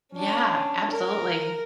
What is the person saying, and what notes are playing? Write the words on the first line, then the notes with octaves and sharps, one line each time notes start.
Yeah, absolutely.
C#4 D4
A#4